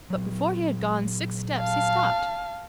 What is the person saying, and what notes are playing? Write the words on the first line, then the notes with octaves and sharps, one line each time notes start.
But before he had gone six steps he stopped.
A#2 F#3
F5 A5